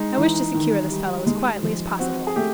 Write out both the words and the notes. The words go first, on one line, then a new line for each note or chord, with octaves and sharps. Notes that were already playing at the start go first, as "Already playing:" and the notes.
I wish to secure this fellow as quietly as possible.
Already playing: G#3 D#4
E3 D#4
D#3
G3
G#3
F3
C4 F#4
G#4
A3 G4